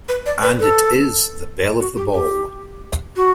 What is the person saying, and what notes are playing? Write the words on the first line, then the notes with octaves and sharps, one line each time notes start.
And it is the belle of the ball.
B4
D5
B4
A4
F#4
G4
G4
F#4